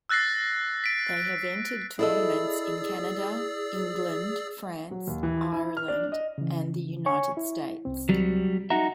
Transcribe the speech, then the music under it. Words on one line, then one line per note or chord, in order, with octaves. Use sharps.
They have entered tournaments in Canada, England, France, Ireland and the United States.
E6 F#6 A6 A#6 C7
B6 D7
E4 G#4 A4 D5 D#5 E6
F#3
D#2
E3
E4
F6
D4
D#5
C#3 E3
C#5 G#5 C#6
E4
C2 C4
F#3 G3
D#4 F#4 E5 F#5 A#5